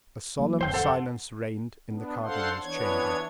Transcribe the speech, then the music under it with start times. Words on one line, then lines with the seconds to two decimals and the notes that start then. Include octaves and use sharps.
A solemn silence reigned in the cardinal's chamber.
0.39 F#3 A#3
0.61 D1 F2 C5 G5
0.74 A4 C5 F#5
1.91 B3 D4
2.25 D4 A4 C5 F5 F#5 C6
2.63 E3 B3 D4 C#5 G#6